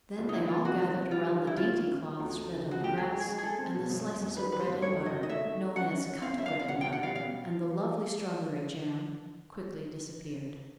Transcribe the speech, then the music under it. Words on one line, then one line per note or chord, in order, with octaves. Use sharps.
Then they all gathered around the dainty cloth spread on the grass, and the slices of bread and butter, known as "cut bread and butter," and the lovely strawberry jam quickly disappeared.
C#2
D#4
D#3 E4
C3 F4
C3 F#4
D#3
C3
G3 F4
D#3
G3
E4
C#4 F4
D#3
C#4
F3
D2
D2
C#3
F3 F#4
D2 G4
G#3 G#4
G#3
G#4
G#3
G#4
G#3 A4
C4
B2
F#2
F#2
F#2
D#3 B4
G3 B4
C5
F#2
A3 C#5
F#3
D#5
D#3
D#5
A3 E5
A3
F#3
C#4 F#5
C#4
C#4
E2 F5
C#4 E5
F5
E2
F5
B2 F#5
G5
C#4
F#5
G3 F5
B2 F5